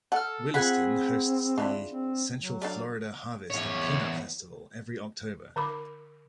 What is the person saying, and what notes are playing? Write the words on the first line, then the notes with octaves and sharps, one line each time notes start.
Williston hosts the Central Florida Harvest and Peanut Festival every October.
A4 F#5 F6
C4 F4 G#4 F#5 B5
D4 E4 F4
C4
F#3
D4 A4 D5 F5
E2 C#5
D3 A#4 B5 D6